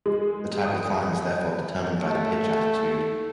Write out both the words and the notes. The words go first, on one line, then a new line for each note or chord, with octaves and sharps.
The type of climb is therefore determined by the pitch attitude.
G#3
D#6
A3